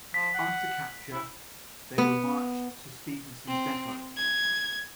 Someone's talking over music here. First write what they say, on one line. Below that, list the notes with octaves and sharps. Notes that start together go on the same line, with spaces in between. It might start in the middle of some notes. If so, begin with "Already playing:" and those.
After capture, they were marched to Stephensons Depot.
F3 B6
F#5
E4
B3
C4
G#6